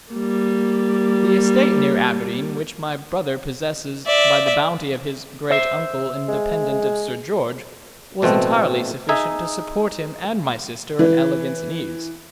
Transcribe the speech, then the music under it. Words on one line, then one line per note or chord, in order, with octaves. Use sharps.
The Estate near Aberdeen which my brother possesses by the bounty of his great Uncle independant of Sir George, was entirely sufficient to support him and my Sister in Elegance and Ease.
G3 A#3
D5 E5
C5 E5
G#3
A1 B2 A3 C4
D#4 G#4 D#5 E5 G#5
E3